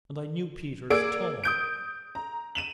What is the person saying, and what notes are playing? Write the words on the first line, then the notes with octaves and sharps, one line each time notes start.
And I knew Peter's tone.
A#3 G#4 D5 E6 G#6 D7
D#6 G6 D7
A#5
D#7 E7 F#7